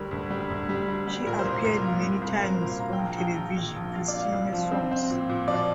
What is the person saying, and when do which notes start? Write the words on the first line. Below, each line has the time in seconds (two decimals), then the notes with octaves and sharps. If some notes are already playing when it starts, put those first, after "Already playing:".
She appeared many times on television to sing her songs.
Already playing: D2 G3 A#4
0.11 D2
0.30 G3
0.50 D2
0.69 G3
0.88 G3
1.08 G3
1.26 A#2 A#4
1.39 C5
1.46 C2
1.65 C2 A#4
1.84 A#3
2.03 C2
2.22 C2
2.41 C2 A#4
2.54 C5
2.61 A#2
2.67 F5
2.80 A#3 A#5
2.93 G5
2.99 A#1
3.06 F5
3.12 A#5
3.18 A#1 G5
3.37 A#1
3.57 A#2
3.76 A#1
3.94 A#1 F5
4.08 D5
4.14 A#3
4.20 F5
4.33 C2
4.53 F3
4.71 C4
4.91 C4
5.10 A#2
5.29 A#2
5.48 F3 D5